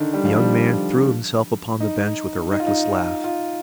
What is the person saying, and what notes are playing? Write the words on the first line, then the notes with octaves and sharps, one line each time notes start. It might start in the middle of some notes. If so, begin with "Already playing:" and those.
The young man threw himself upon the bench with a reckless laugh.
Already playing: D3 D#3
G3
F3
G3
D#4
D#4
F4
D#4
F4